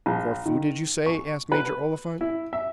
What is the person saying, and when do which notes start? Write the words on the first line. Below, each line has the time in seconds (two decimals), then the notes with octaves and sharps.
"Corfu, did you say?" asked Major Oliphant.
0.06 A#1
0.46 D#3
1.06 C#6
1.52 B4
2.21 E4
2.53 E5